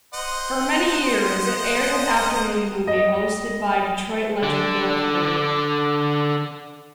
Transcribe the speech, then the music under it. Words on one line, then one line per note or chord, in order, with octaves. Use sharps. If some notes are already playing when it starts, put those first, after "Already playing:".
For many years, it aired an afternoon movie hosted by Detroit legend Bill Kennedy.
C5 D#5 F#5
D#5
D3 D4